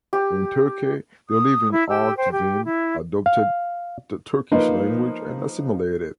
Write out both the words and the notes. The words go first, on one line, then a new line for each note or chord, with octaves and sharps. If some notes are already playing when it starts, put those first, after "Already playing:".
In Turkey they live in Artvin, adopted the Turkish language and assimilated.
G4
D#6
E4
G4 E6
C5 G5
G4
E4
F5
F3 A#3 D#4 B4 C5 D#5